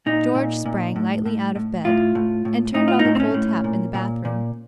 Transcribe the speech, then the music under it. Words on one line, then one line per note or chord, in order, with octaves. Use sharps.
George sprang lightly out of bed, and turned on the cold tap in the bath-room.
A#2 D#4
A#2
A#2
A2
A2
A2
A2 F4
A2
A2
A2 D#4
F4
D#4
A2
C4
C#4
A2
A#2
A#2
A#2